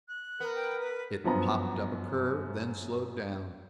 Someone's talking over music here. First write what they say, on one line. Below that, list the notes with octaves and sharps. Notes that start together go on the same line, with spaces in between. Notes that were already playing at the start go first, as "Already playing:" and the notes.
It popped up a curve, then slowed down.
F#6
B3 A#4
G5
B4
G1 F#2 F3 B3 A#5